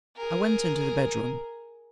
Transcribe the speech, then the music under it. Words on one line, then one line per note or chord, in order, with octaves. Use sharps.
I went into the bedroom.
G#4 A#4